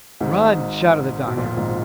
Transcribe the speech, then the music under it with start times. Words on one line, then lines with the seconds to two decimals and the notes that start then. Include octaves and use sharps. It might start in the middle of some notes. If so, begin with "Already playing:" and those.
"Run!" shouted the doctor.
0.20 G#1 G#2
1.27 B2
1.37 A#1 A#2
1.57 G#1 G#2